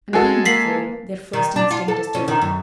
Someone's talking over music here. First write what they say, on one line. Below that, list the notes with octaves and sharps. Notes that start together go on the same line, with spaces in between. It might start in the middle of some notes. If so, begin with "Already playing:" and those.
And being afraid, their first instinct is to--run.
G#3 F#4 G#4 A4
A#3 B6 C7 F#7
D#3
D4
F4
A4
C#4
D#3
F#2